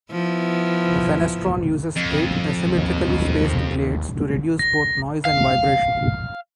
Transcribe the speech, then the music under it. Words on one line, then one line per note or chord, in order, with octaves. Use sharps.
The Fenestron uses eight asymmetrically-spaced blades to reduce both noise and vibration.
F3 B3 E4
F2
D#2
A#6
F5